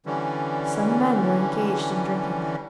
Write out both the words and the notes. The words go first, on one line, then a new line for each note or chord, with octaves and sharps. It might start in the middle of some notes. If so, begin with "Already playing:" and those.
Some men were engaged in drinking there.
D3 E3 G3 C#4